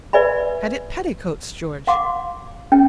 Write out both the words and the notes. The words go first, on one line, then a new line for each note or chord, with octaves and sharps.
"Had it petticoats, George?"
B4 D5 E5 G#5 B5
F5 F#5 C6 D6
C#4 G5